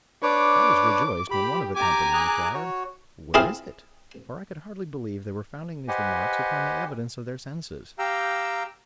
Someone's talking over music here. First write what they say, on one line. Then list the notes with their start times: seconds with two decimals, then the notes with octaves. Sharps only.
I was rejoiced when one of the company inquired, "Where is it?" for I could hardly believe they were founding these remarks upon the evidence of their senses.
0.23 D4 B4 C#5 D6
1.31 G4 B5
1.76 G4 G#5 A#5 D6
2.14 G#4 D6 F#6
2.54 F#4 C#5
3.34 C4 E4 F4 G#4 E5 F5
5.88 G4 B4 C5 D#5 F#5 G#5
7.99 G4 F5 G5 A#5 E6